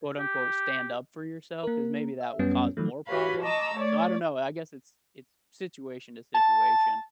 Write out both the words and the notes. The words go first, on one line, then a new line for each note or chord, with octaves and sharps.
quote, unquote, "stand up for yourself," 'cause maybe that will cause more problems. So I don't know, I guess it's it's situation to situation.
G4
A#3 A#4
E5
F#2 G3 B3 C#4
D#3 F3 F#3 A3
F#4 G4 B4 C#5 F5 B5
D#5 A5 A#5 C#6 D6 E6
A3 C#5 D5
A5